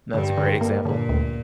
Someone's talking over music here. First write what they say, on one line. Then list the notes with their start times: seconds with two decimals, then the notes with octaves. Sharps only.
That's a great example.
0.14 G2 D3
0.38 D3
0.61 A#3
0.85 A#2 D3
1.09 D2